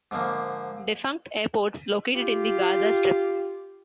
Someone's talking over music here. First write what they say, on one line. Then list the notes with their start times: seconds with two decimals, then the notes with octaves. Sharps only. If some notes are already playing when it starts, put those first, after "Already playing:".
Defunct airports located in the Gaza strip.
0.11 G#2 D3 F3 A#3
2.15 F4 G4